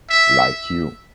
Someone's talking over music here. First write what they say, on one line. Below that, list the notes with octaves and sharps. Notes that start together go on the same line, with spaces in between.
Like you.
E5